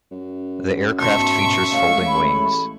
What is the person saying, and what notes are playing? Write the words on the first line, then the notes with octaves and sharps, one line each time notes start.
The aircraft features folding wings.
F#2
G#2 B2 E5 A5 C6 C#6
G#3 A3 C#5 F5
A1 B5